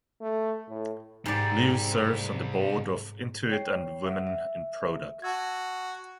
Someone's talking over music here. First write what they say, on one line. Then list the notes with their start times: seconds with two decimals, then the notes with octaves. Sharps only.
Liu serves on the board of Intuit and Women in Product.
0.21 A3
0.69 A2
1.26 G#2 C3 G3 D5
3.50 C#5 G5 C7
4.06 E5 F#5
4.27 E5
5.22 F#4 A5 E6 G#6